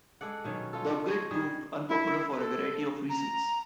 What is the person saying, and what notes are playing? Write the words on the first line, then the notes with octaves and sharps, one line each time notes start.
The upgrade proved unpopular for a variety of reasons.
G#3 A4 D5 F#5
B2 D#3 F#3 C#4
C#4 F4 A4
D#3
C#5
D#3 G3 G#4 D#5
E4
A4
A#5